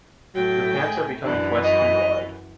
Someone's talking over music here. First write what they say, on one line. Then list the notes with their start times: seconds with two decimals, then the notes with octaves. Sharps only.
Your pants are becoming twice to wide.
0.35 A2 F#3 G5
0.76 G#4
1.25 F#2 E3 D4
1.64 D#5